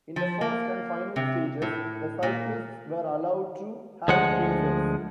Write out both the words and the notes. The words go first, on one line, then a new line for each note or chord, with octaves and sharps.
In the first and final stages, the cyclists were allowed to have pacers.
F3
A#3
C3
A2
A#2
D2 F3 G#3 F#5